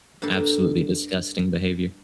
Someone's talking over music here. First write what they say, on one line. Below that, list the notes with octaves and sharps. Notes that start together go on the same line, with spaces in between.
Absolutely disgusting behavior.
G2 A#3 D4 A4